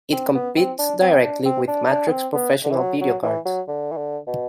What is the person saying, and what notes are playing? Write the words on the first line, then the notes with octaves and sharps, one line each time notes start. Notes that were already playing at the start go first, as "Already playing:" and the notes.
It competes directly with Matrox professional video cards.
C4
B3
C4
D4
C4
D4
C4
D4
D4
B3
C4
B3
D3
E3
F#3
F#3
E3
F#3
D3
E3
D3
B2